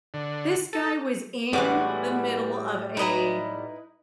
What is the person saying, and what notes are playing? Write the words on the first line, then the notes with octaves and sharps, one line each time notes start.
This guy was in the middle of a
D3
A4
A2 E3 G3 G#3 B3 F#4 D6
D#4 E4 B4 D#5 A#5